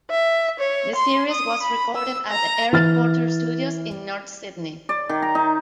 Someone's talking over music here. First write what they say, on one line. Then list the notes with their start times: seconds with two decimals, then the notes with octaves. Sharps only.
The series was recorded at the Eric Porter studios in North Sydney.
0.10 E5
0.59 C#5
0.96 C6
1.31 D#6
1.63 B5
1.95 E6
2.29 A#5
2.73 E3 F6 A6
4.89 D5
5.09 D#3
5.22 A#5
5.35 D#4